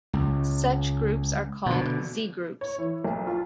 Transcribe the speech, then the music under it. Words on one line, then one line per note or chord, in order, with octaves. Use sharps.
Such groups are called Z-groups.
C#2
B2 D3
C#5
E3
B1
F4